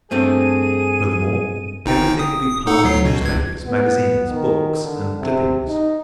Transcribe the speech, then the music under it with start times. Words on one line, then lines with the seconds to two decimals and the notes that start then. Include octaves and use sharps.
Furthermore, everything will be piled with newspapers, magazines, books and clippings.
0.11 G2 A3 C4 G#4 D#7
1.86 G1 D#4 G5
2.19 D#6
2.67 D#4 A4 F#5
2.84 D2 F#3 C7
3.05 B2
3.21 C#2 G#6
3.65 B3
4.29 D#3
4.84 D3
5.20 C3
5.67 D#4